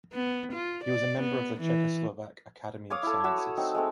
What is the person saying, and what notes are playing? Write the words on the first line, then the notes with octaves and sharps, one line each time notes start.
He was a member of the Czechoslovak Academy of Sciences.
B3
F4
D5
B3
E3
C#5 F5 D6 D#6
E4 A4
F#4 C#5 E5
D#6
F#3 C4 D#4
G#3 A3 C4